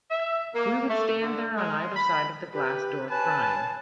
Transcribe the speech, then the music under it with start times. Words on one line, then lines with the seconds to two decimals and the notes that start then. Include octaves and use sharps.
We would stand there on either side of the glass door crying.
0.11 E5
0.54 A#3
0.89 A3
1.22 D3
1.57 G#3
1.96 B5
2.53 G4 B4
3.10 B4 C#5 G#5 A5